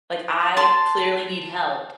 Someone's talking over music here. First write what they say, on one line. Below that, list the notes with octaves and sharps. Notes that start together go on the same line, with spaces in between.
Like I clearly need help,
A5 C6